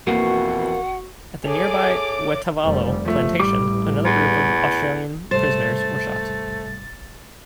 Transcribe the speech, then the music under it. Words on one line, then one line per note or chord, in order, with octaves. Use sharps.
At the nearby Waitavalo Plantation, another group of Australian prisoners were shot.
F2 B2 E3 A#3 F#4 F#5
G#4 A4 C#5 E5 D6
F1 G3
G1 F3 A3
A1 G3 D6
E2
G#2 C3 G3 A3 C5 A6